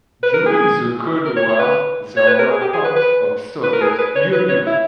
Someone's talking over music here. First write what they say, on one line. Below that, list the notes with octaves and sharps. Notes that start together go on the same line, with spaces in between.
During the Cold War they were part of Soviet Union.
B4
A#4
G#4
A#4
C#5
C#5
B4
C#5
B4
A#4
G#4
G4
G#4
B4
B4
B4
A#4
G#4
A#4
B4
C#5
B4
C#5
E4